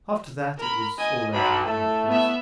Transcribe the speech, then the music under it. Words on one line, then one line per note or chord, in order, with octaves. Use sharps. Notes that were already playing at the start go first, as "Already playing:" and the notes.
After that it was all over with me, of course.
A#4 B5
D#5 G#5
B1 B5
A2 A3 A4
B3 E5